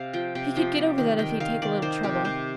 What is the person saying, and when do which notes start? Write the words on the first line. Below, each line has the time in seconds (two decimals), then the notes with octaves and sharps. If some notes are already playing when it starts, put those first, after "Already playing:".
He could get over that if he'd take a little trouble.
Already playing: C3 F5
0.13 F3 G5
0.35 C3 G5
0.56 F3 G5
0.77 G3
0.98 D#3
1.19 D#3 G5
1.40 D#3 F5
1.62 D#3 D5
1.82 D#3 C5
2.03 C3 G4
2.25 C3 C5